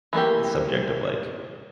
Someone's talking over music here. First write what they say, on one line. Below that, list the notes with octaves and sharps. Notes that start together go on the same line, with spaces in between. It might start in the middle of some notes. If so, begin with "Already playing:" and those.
the subject of, like,
E3 A3 A#3 G4